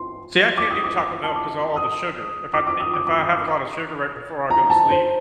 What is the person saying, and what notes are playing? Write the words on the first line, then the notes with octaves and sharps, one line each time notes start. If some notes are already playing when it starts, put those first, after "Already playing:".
See, I can't do chocolate milk 'cause of a all the sugar, if I e if I have a lot of sugar right before I go to sleep,
Already playing: C6
D6
D#6
D6
D6
D6
A5
D6
D#6
D6
D6
D#6
D6
D6
D#6
D6
A#5
A5
C5